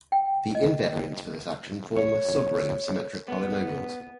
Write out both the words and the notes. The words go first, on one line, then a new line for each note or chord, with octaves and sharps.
The invariants for this action form the subring of symmetric polynomials.
G5
D#5
C#5
B3